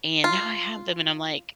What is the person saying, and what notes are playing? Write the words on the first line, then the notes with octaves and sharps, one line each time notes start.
and now I have them, and I'm like,
F4